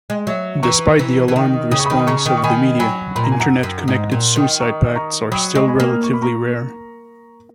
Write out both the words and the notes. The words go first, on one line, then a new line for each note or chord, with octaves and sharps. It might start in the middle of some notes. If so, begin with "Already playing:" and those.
Despite the alarmed response of the media, Internet-connected suicide pacts are still relatively rare.
G#3
F#3 C#5 E5
E3 A#5 C#6
E3
E3
D#3
C#3 D#6
C#6
D#3 B5 D#6
C#3 A#5 C#6
D#3
C#6
D#3 G#5 B5
F#3 G#5 B5
A#2 B5
A#5
G#5
F#2 F#5 A#5
F#2
G#2
A#2
D#3
A#5 C#6
D#6
A#5 C#6
F#3 B5 D#6
G#3 C#6
G#5 B5
A#3
C#6
B5
A#5 C#6